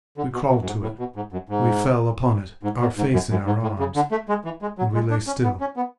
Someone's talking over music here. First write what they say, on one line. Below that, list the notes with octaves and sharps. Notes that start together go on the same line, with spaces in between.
We crawled to it, we fell upon it, our face in our arms, and we lay still.
D3
B2
B2
F#2
G#2
A2
B2
G#2
F#2
G#2
G#2
B2
G#2
F#2
F#2
G#2
A2
C#3
D3
A3
G#3
E3
G#3
F#3
G#3
D4
C#4
B3
C#4
B3